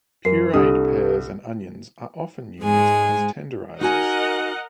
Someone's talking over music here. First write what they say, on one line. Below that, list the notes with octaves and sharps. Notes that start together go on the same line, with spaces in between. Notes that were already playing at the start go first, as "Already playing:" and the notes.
Pureed pears and onions are often used as tenderizers.
F#2 A#4 C7
C2 D4 G4 A4 D#6
G#2 G#3 G#4 G#5
D#4 F#4 A#4 D#5 F#5 G#5